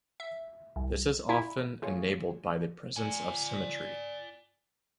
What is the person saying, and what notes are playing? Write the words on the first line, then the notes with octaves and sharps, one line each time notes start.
This is often enabled by the presence of symmetry.
E5
C2
E4
A3 F4 G#4 C#5
D5 G#5